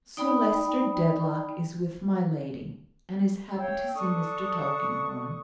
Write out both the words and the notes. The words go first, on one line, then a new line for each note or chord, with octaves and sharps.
Sir Leicester Dedlock is with my Lady and is happy to see Mr. Tulkinghorn.
D#4 D5 G5 B5
C#5 F5 G5 E6
D4 A4 C#6 D#6